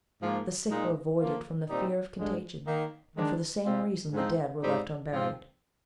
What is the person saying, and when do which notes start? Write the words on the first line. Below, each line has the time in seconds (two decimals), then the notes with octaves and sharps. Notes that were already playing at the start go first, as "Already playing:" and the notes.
The sick were avoided from the fear of contagion, and for the same reason the dead were left unburied.
0.22 G#2 F3 A#3
0.70 A#2 G#3 D#4
1.19 F3 A#3 F4
1.68 A#2 G3 C4 D#4
2.17 G2 D3 G#3
2.66 D#3 A#3 D#4
3.15 D#3 G#3 D4
3.64 C3 G3 C4 F4
4.12 G#2 F3 C4 D#4
4.61 G#2 G3 C4 D#4
5.10 G#2 F3 C4 F4